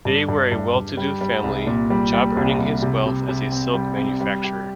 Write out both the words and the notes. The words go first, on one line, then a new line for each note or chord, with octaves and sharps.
They were a well-to-do family, Job earning his wealth as a silk manufacturer.
G2
G2
G2
G2
G3
G3
C2
A#2
G3
G3
C2
C2
C3
C3
C3
C4
G3
C4
G3
G4